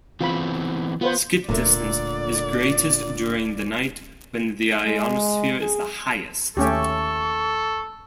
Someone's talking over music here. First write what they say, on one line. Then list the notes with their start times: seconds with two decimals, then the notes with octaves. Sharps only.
Skip distance is greatest during the night when the ionosphere is the highest.
0.21 E3 B3 C4 F4 B5
1.01 B3 F4 B4 C5
1.49 D1 A#2 D3 A3 D5
4.86 G#3
5.62 G#4
6.57 D#2 A3 C#4 G4 A4 C#6